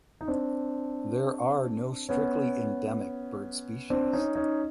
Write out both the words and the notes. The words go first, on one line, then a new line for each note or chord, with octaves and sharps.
There are no strictly endemic bird species.
D#4
C4 D4
B3 C#4
C4 D4
C#4 D#4
C#4 D#4